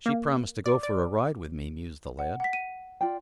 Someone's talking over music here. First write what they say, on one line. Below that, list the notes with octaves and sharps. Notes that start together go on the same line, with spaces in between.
"She promised to go for a ride with me," mused the lad.
A#3
D5
D5
F#5
F#5 B6
D#7
F4 D5 G5